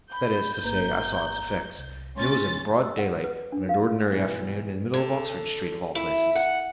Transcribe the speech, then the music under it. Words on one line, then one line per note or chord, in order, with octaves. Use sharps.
That is to say, I saw its effects, and it was in broad daylight, on an ordinary afternoon, in the middle of Oxford Street, of all places.
B5 G6
G1 A#3 B4 A#5
C2
G#3 C#4 C6 A6
E6
F#5
B4
D4
F5
G#2 B2 E3 G3 B3
D3
E4
F#5